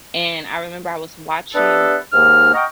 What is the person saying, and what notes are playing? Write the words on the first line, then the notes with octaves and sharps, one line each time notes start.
and I remember I was watching
B3 D4 G4 A4 B4 E5
D#2 G#2 A#3 F6
D#5 F#5 G5 A#5 C#6 F6